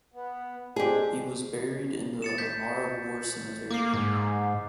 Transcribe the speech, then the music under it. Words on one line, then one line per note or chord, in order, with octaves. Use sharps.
He was buried in the Amara War Cemetery.
B3
G#3 C4 D4 G4 G#4
A6 C#7 E7
G6 B6
A#3 D6 C7
G#2